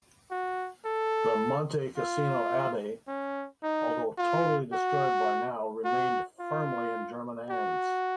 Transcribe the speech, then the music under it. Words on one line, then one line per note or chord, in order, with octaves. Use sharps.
The Monte Cassino Abbey, although totally destroyed by now, remained firmly in German hands.
F#4
A4
F4
C#4
D#4
F4
F#4
F#4
F4
F#4